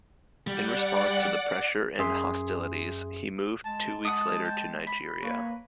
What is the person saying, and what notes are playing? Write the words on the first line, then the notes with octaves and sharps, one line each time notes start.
In response to the pressure and hostilities, he moved two weeks later to Nigeria.
G3 D5 F#5
F#2 G#4 E5 C6
G#3 A5
F#5 A5 D#6
G5
B5
A#3 B4 C#5